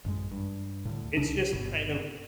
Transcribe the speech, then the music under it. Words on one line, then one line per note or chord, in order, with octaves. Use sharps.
it's just kind of
A1 F#2 G#3
G2
D2 A2
C2 C#3 D4
G1 B2